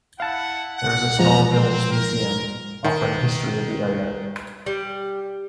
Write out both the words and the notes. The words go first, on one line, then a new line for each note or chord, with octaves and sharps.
There is a small village museum, offering history of the area.
E4 F5 F#5 A5
F#5
E2 F3 G3 G#3 B3 A#5
C4
A#4
D#3
G3